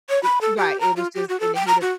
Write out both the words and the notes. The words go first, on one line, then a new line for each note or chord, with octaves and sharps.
eh right, it was just in the heat of
C#5
B5
A4
G4
A#5
F4
G4
F#4
A4
G5
A#5
F#4